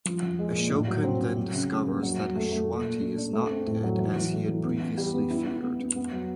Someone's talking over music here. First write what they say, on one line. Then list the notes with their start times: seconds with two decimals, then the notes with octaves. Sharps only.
Ashokan then discovers that Ashwati is not dead as he had previously feared.
0.05 F3
0.23 F3
0.39 G#3
0.55 A#2
0.72 A2
0.88 F#3
1.04 C4
1.20 C4
1.36 F#3
1.53 C#3
1.70 C#3
1.86 A#3
2.02 F#3
2.19 F#3
2.36 A3
2.52 A3
2.68 A#2
2.84 A#2
3.01 D4
3.17 D4
3.33 A3
3.51 C4
3.67 A2
3.83 F#3
3.99 E3
4.16 E3
4.32 A3
4.49 E3
4.65 B3
4.81 E4
4.97 G3
5.14 B3
5.30 E4
5.47 E4
5.64 B3
5.80 B3
5.96 B3
6.12 F#3